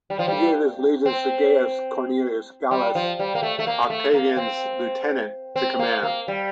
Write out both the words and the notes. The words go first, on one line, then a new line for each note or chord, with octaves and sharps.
He gave his legions to Gaius Cornelius Gallus, Octavian's lieutenant, to command.
G3
F3
G3
C4
G3
F3
G3
A#3
A3
A3
A#3
A3
A#3
C4
C4
A#3
A#3
G3